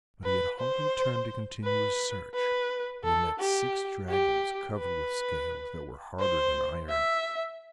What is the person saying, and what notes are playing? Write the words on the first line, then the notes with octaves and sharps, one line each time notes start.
But he had hardly turned to continue his search when he met six dragons covered with scales that were harder than iron.
B4
C5
B4
B4
A4
G4
G4
B4
C5
E5